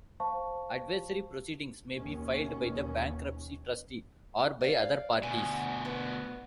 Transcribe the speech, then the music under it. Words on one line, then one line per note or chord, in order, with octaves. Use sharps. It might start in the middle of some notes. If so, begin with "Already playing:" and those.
Adversary proceedings may be filed by the bankruptcy trustee or by other parties.
C5 F5 A5 C#6
D#2 B2 C#4
D5 F5
D2 B2 G#5
B3